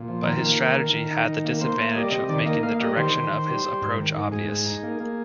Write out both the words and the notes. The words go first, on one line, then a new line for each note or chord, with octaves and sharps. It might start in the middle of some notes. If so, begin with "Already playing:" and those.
But his strategy had the disadvantage of making the direction of his approach obvious.
Already playing: A#2
F3
D#3 A#4
A#3
D#3
D#3
D#3
D#4
D#3
A#3
A#3 C5
A#3
G3 D#5
D5
C3 D#5
D#3 D5
A#3 D#5
A#3 F5
G3 D#5
D#3 C5
D#3
D#3
G3
G3
G#2
D#3
G#2
G#2 G#4
G#2
D#4
A#3
A#3